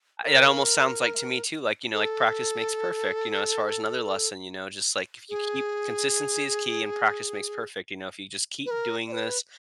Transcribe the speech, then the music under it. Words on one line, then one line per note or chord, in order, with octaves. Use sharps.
I it almost sounds like to me too, like, you know, like, "practice makes perfect," you know, as far as another lesson, you know, just like if you keep consistency is key and practice makes perfect, you know, if you just keep doing this,
A#4
A4
G#4
B4
A#4
D5
B4